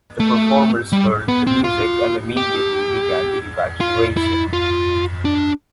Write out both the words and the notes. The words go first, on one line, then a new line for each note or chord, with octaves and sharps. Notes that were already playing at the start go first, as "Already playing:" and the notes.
The performers heard the music and immediately began the evacuation.
A3
G3
B3
C4
F4
G4
F4
E4
F4
D4